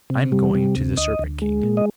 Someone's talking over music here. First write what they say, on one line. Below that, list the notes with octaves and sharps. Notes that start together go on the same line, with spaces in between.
'I am going to the Serpent King.'
C3
G3
C3
D2
D2 D#5
D2
G#3
A#2
D#5